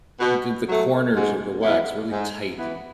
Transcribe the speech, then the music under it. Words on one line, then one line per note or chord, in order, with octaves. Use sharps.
did the corners of the wax really tight,
B2
F#3 A3
G#2
E3 B3 E4
G#2
E3 B3 E4